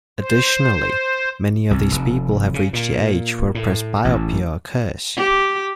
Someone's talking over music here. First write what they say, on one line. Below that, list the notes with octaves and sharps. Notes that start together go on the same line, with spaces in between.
Additionally, many of these people have reached the age where presbyopia occurs.
C5
C2
F1
C#3
A#2
A2
A1
G4